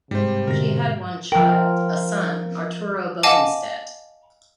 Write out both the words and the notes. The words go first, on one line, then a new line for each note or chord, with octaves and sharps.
She had one child, a son, Arturo Bodenstedt.
G#2 C3 G3 C5
B2 D3 A#4 A#6
F3 A#4 G5
D#5 F5 F#5 G#5 A5 D6